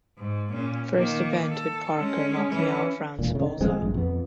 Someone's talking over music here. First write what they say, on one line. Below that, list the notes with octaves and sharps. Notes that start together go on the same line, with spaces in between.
First event with Parker knocking out Frans Botha.
G#2
A#2 C#4
D#3 A#3
A4
G#3 C#4
E3 C#4
E1 A#2
A2 C#3
D#3
D#1 F3 G#3 C4
A#1 G2
F2 B3